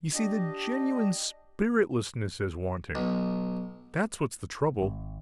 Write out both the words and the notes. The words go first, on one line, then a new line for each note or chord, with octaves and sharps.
You see, the genuine spiritlessness is wanting; that's what's the trouble.
D4 G4 D#5
B1
G#1